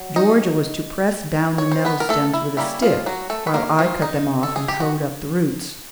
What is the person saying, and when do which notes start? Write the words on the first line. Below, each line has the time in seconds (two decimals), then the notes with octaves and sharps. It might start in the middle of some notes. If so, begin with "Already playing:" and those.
Georgia was to press down the nettle stems with a stick, while I cut them off and hoed up the roots.
Already playing: F#3
0.16 D#4 D#5
1.58 C#5
1.72 C5
1.85 B3 B4
2.00 A#4
2.09 A3 A4
2.33 E4
2.57 G3 A#3 C#4 E4
2.82 F3 F4
3.06 F#3 F#4
3.30 A3 A4
3.47 B4
3.54 A#3 A#4
3.79 F3 F4
4.02 D#4
4.43 A4
4.56 G#4
4.68 G4
4.80 F#4